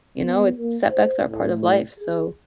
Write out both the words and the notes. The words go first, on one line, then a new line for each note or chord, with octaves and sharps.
You know? It's setbacks are part of life, so
B3
A#3
C5
A2
G#4